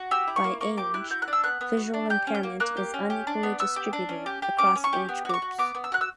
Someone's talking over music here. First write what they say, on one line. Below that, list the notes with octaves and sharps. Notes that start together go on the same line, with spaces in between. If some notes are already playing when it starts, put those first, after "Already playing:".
By age: Visual impairment is unequally distributed across age groups.
Already playing: F#4
G4 E6
E4
C#6
A#3
A#3 C#6
G4 D6
E4 F#6
F#4 G6
F#6
D4
E6
B3 F#6
B3
F#4
D4
G4 G6
C#4
G6
A#3
A#3 F#6
G4
C#4
G4
D4
B3
B3 E6
G4
D4
C#4
G4
G4
C#4 D6
C#4
C#6
G4
B3
F#4 D6
C#6
F#4
B3 D6
B3
E6
F#4 F#6
E6